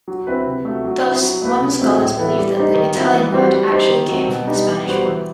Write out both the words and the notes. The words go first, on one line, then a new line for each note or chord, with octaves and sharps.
Thus, modern scholars believe that the Italian word actually came from the Spanish one.
F#3
C4 E4 B4
C3
F#3 A3
F#3
C4 E4
F#3
A3 E4 B4
C3
F#3 A3 C4
A2
E3 B3 E4 A4
G3
D#4 G4 C5
D#3
F#3 C4 E4
E3
G3 C4 F#4 C5
G3
D#4 G4 C5
D#3
F#3 C4
B2
G3 B3 D#4 G4
E3
G3 B3 F#4 C5
E3